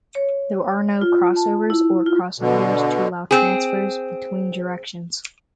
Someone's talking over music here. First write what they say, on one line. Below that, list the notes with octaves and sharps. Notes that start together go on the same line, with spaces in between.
There are no crossovers or crossunders to allow transfers between directions.
C#5
F4
A5
E4
F4
B2 D3
C4 G#4